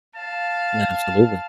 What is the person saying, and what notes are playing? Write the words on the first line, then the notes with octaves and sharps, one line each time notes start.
Yeah, absolutely.
F5 A5